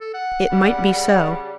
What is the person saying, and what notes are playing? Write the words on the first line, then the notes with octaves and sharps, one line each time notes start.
It might be so.
A4
F#5
C#3 G3